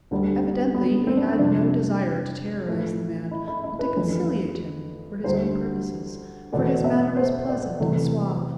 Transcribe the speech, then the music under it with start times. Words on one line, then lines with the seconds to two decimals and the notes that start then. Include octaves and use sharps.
Evidently he had no desire to terrorize the man, but to conciliate him, for his own purposes, for his manner was pleasant and suave.
0.11 D2 D3 G3
0.74 B3
1.07 C4
1.17 D4
1.27 C4
1.39 F2 C3 G3 D4
2.67 A2 F3 A3
3.31 E4
3.48 E4
3.64 E4
3.79 B4
3.96 F2 E3 A3
5.24 D2 D3 G3 C5
6.52 E2 B2 A3 D5
6.84 E5
7.17 C5
7.49 D5
7.80 E2 C3 E3 A3